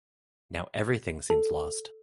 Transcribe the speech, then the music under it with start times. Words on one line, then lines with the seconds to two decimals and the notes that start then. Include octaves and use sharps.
Now everything seems lost!
1.30 A4